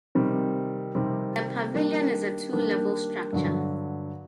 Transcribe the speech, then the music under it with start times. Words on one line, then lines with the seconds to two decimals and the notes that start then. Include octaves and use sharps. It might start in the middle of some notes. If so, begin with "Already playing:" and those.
The pavilion is a two-level structure.
0.15 C3 D#3 G3 C4
0.95 C3 D#3 G3 C4
1.74 D#3 G3 A#3 D4
2.53 D#3 G3 A#3 D4
3.33 G2 D3 F#3